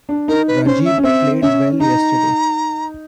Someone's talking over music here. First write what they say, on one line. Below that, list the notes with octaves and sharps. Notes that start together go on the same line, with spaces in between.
Rajib played well yesterday.
D4
D#4 A#4
B4
C#4 C5
E5
C#4
C4 E5
C#4 E5
D#4 A#5